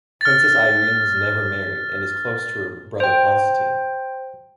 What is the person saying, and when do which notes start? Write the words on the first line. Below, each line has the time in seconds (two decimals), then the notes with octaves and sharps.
Princess Irene has never married and is close to her brother, Constantine.
0.21 F6 A6
3.00 C5 G5